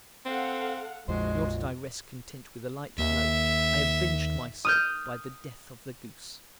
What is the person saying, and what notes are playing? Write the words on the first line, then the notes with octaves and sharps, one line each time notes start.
Nor did I rest content with a light blow, I avenged myself by the death of the goose.
C4 A4 F5 F#5
A#1 F2 F3 G#3 F#4 C5
D#2 E5
D#6 F6 G6